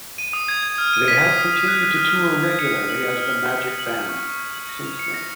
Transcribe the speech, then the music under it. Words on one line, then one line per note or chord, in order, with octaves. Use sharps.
They have continued to tour regularly as the Magic Band since then.
D#7
D#6
G#6
G#6
F6
D#7
B6
D#6
D#6
D#6
F#6
F#6
F6
F6
G#6
G#6
C#7
G#6
F#7
F#7
F6
F6
B6
B6
F#7
F#6
C#6
C#6
G#6
F#7
A#6
F7
C#7
A#6